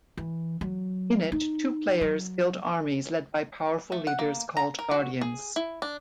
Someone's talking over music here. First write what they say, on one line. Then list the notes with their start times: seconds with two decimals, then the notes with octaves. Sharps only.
In it, two players build armies led by powerful leaders called Guardians.
0.17 E3
0.61 F#3
1.32 D#4
2.01 F#3
3.92 A3
4.07 F#5
4.19 A#3
4.57 A#5
4.79 A#4
4.91 F#4
5.21 G#4
5.56 E4
5.82 D4